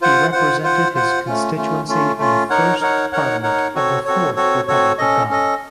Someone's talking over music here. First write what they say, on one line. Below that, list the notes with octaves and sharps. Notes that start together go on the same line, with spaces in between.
He represented his constituency in the first Parliament of the fourth Republic of Ghana.
F4 C5 F#5
F4 C5 F#5
F4 C5 F#5
F4 C5 F#5
A3 C#4 F4
A3 C#4 F4
A3 C#4 F4
A3 C#4 F4
D#4 A#4 C#5 F#5
D#4 A#4 C#5 F#5
D#4 A#4 C#5 F#5
D#4 A#4 C#5 F#5
C4 F#4 A4 C#5
C4 F#4 A4 C#5
C4 F#4 A4 C#5
C4 F#4 A4 C#5
C#4 A4 D#5
C#4 A4 D#5